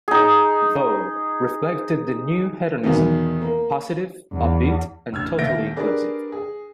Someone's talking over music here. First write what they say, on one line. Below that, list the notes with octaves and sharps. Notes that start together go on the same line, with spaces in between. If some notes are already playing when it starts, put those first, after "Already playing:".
'Vogue' reflected the new hedonism; positive, upbeat, and totally inclusive.
D#4 G#4
E2 B2 D#3
A#3
E2
A1 E6 F6 G#6
D#1 D#2 E5 G6 A#6 D7
D4 G4 G#4 A#4 B4 D5
G#4